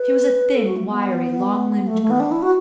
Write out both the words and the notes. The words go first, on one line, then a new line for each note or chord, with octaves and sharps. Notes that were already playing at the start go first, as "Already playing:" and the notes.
She was a thin, wiry, long-limbed girl.
Already playing: B4
A4
F#4
A3
B3
A3
A3
B3
D4
E4
F#4